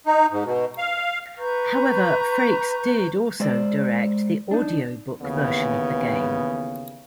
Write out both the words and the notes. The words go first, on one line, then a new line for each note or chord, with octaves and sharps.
However, Frakes did also direct the audiobook version of the game.
D#4
G#2
B2
F5
B4 A#5 C#6 G6
G#3 C5 D5
D4 D#4
D#2 C#3 E3 B3